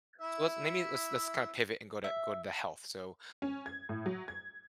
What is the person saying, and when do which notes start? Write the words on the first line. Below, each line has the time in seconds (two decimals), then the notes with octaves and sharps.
So, let's lemme let's let's kinda pivot and go to go to the health. So,
0.21 E4 E5
2.04 E5
3.42 C#4
3.66 G#6
3.89 A2
4.06 F#3
4.28 G#6